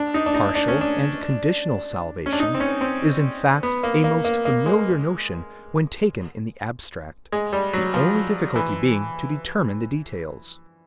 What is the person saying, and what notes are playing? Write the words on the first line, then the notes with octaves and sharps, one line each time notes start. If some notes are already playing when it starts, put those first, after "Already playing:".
Partial and conditional salvation is in fact a most familiar notion when taken in the abstract, the only difficulty being to determine the details.
Already playing: D4
D#4
D4
D#4
D4
C#4
D4
C#4
D4
D#4
C4
C#4
C4
B3
A#3
A#3
A#3
A#3
G#3
G#3
G3
F#3
F3
E3